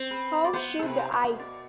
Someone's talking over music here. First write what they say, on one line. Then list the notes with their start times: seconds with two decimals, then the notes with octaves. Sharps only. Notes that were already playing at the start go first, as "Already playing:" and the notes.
How should I?
Already playing: C4
0.11 B4
0.44 D5
0.53 B3 C5
0.79 C3 A4
0.88 B4
0.97 C5
1.11 B2
1.39 D5